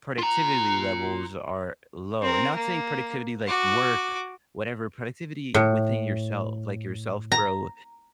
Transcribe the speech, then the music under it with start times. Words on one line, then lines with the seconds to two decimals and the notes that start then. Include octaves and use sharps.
productivity levels are low, and not saying productivity like work, whatever, productivity within yourself, like, yourself, bro,
0.19 F4 A#5
2.22 C4 A#4
2.55 A#3
3.47 F#4 D6
5.54 A2
7.32 A#5